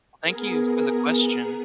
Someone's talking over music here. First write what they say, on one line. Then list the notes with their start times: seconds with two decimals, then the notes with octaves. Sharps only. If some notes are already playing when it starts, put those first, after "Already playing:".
Thank you for the question.
0.22 B3 G#4 A#4